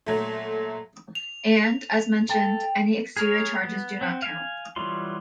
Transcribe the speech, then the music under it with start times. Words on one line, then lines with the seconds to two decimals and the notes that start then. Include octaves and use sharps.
And, as mentioned, any exterior charges do not count.
0.06 A#2 F#3 A3
1.15 F7
2.29 A4 G5
3.17 G#4 A#4 C#5
3.63 B3
4.01 C4 F#5
4.22 F5 G#5
4.76 E3 F#3 G3 F4 C6